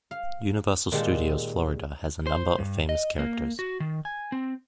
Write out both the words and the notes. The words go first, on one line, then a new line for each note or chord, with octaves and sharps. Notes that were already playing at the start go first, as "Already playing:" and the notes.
Universal Studios Florida has a number of famous characters.
F5
A#2 D#3 G#3 G4 F#5 A5
C5
G2
D#5
A#3
F#4
D#3
G#5
C4